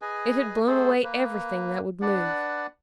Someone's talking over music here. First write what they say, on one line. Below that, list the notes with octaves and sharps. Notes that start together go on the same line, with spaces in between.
It had blown away everything that would move.
G#4 B4 D#5 G#5
A3 G#4 A4 C5
A#3 B4
D4 B4 D5 F#5